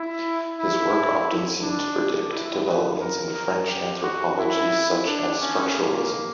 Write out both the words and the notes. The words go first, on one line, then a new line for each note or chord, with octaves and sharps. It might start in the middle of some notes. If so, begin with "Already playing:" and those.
His work often seemed to predict developments in French anthropology, such as structuralism.
Already playing: E4
E4
D4
E4
B4
A#4
A#4
G4
F#4
E4
D4
C#4
A#3